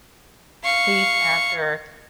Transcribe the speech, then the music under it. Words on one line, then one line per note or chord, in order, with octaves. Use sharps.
chased after,
F5 C#6